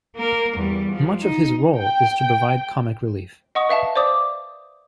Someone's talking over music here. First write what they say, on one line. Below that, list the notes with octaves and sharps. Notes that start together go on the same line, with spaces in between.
Much of his role is to provide comic relief.
A#3 A#4
E2 G3
F3 G3
D#4
G5
D#5 F#5 C#6 D#6
B4 E5 F5 A5
C5 D5 D6 D#6